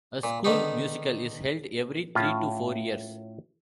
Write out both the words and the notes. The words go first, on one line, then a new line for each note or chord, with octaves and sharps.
A school musical is held every three to four years.
A#2
D3 D#3 B3 D#4
A2 C#4 F4